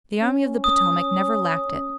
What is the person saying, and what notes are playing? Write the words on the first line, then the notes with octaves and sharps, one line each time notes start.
The Army of the Potomac never lacked it.
C#4
D#6